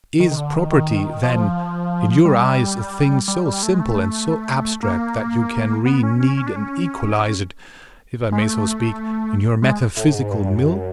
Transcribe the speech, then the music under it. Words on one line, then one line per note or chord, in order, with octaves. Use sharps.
Is property, then, in your eyes a thing so simple and so abstract that you can re-knead and equalize it, if I may so speak, in your metaphysical mill?
D#3
D#3
D3
D#3
D#3
F3
G3
G3
G3
A3
G#3
A3
A#3
B3
C#4
C#4
C#4
D4
C#4
G#3
A3
G#3
A2
G#2
G2
F#2